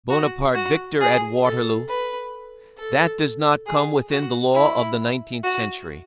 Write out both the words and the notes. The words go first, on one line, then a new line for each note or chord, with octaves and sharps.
Bonaparte victor at Waterloo; that does not come within the law of the nineteenth century.
F#4
F#4
G#4
A4
B4
A4
G#4
F#4
E4
F#4